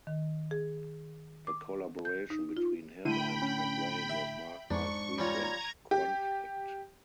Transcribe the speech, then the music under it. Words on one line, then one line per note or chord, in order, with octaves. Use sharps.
The collaboration between him and Maclaine was marked by frequent conflict.
D#3
G#4
D6
G6
D#4
F4
A2 D3 E4 G5 B5 D#7
C#4
E5
F2 G#2 D4 C#6
G3 C#4 F4 A#5 G#6
G4